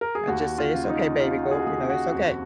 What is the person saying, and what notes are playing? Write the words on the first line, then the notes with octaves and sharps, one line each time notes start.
I just say, "it's okay, baby, go you know, it's okay.
A#4
G#4
D#2 F#4
F4
C#3
F4
D#4
C#3 F4
F#4
G#4
F#4
D#2 G#4
F#4
F2 F#4